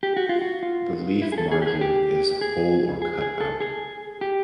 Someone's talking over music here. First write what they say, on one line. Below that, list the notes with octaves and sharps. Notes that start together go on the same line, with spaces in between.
The leaf margin is whole or cut out.
G4
F#4
F4
F#4
F4
E4
G#4
A4
G#4
G4
G#4
G4
G#4
G#4
G#4
A4
G#4
G4